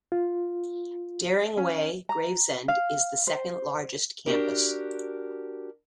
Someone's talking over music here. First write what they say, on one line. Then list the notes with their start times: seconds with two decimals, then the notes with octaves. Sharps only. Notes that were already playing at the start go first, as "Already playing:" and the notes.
Dering Way, Gravesend is the second largest campus.
0.12 F4
1.57 C#4
2.09 A#5
2.68 F5
3.27 C5
4.26 D4 F#4 G4 A#4